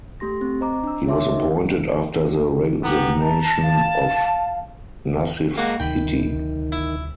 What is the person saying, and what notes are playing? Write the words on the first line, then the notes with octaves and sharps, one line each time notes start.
He was appointed after the resignation of Nassif Hitti.
A3 G4 C6 A#6
C4
C5 D#5 A#5 D6
D4 E6
G#4 C#5 E5 C6 D6
D#4 F#4 A#4 D#5
B3 G4 A#5
A5
F5
G#3 A#3 F#4
D2 C3 D#3 F#3 G5 B5
E4